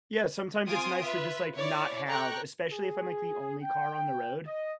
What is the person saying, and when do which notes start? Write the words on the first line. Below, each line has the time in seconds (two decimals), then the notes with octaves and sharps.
Yeah, sometimes it's nice to just, like, not have especially if I'm, like, the only car on the road.
0.68 C4 F4 G#5 C6 D#6 D7
1.01 F4 B4 E5
1.55 E4 C#5 D5
2.08 A4 D5 G5 A#5 C#6 F#6
2.72 G#4
3.62 G5
4.47 D#5